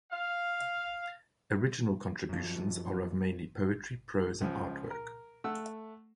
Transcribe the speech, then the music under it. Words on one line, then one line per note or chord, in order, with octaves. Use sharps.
Original contributions are of mainly poetry, prose and artwork.
F5
F#2 F3
C#2 F3
A#4
A3 F#5 E6